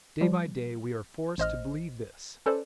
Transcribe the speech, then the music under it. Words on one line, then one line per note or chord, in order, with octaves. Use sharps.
Day by day we are forced to believe this.
F3 G3
A1 C5 D#5 F6
C#4 A4 B4 C5 D5